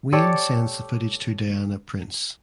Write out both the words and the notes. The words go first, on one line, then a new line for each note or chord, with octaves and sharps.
Wayne sends the footage to Diana Prince.
G4 A4 C#5 D5